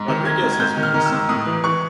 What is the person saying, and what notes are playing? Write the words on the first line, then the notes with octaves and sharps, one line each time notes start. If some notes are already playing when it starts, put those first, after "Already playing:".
Rodriguez has one son.
Already playing: G#2
D#3
D#3 G#6
G#2
G#6
G#2 G6
D#3
F6
D#3
E6
G#2
A2 D#6
E3
E3 C#6